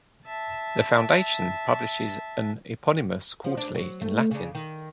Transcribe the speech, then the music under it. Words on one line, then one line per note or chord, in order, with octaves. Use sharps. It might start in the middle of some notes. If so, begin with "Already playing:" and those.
The foundation publishes an eponymous quarterly in Latin.
E5 A5
F3
D4
F#3
A3
C#3 D4
D#3